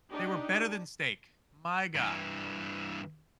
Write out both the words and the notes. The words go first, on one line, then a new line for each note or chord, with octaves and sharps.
they were better than steak, my god.
D4 D#4 G4 D5
G2 E3